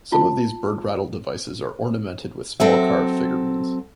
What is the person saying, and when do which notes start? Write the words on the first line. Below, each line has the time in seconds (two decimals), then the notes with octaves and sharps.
Some of these bird-rattle devices are ornamented with small carved figurines.
0.12 F4 A5
2.60 F#3 C4 A4 E5